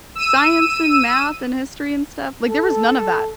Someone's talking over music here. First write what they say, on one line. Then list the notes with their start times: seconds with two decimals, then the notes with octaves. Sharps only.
science and math and history and stuff, like there was none of that.
0.15 E6 D#7
2.46 A4